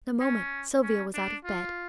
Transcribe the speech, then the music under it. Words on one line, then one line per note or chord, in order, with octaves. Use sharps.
In a moment Sylvia was out of bed.
C#4
C#4
D4
F4